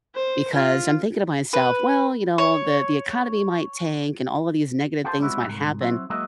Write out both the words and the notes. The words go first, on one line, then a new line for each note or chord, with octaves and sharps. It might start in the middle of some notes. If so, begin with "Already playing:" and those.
because I'm thinking to myself, "Well, you know, the the economy might tank and all of these negative things might happen
C5
F4
B4
C#5
F4 G4 A4 C5
G3 G#3 C4 E4 F#4
C2 G#2
F#3 C4 E4 F#4
F#3 G#3 A#3 F#4 D#5 E5